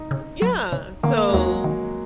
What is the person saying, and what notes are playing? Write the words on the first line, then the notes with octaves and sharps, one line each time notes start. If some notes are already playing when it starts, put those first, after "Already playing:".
Yeah. So
Already playing: D#4
C#3
F#3
C#3
D#3 A#3
G#3
D#2 F#3
D#3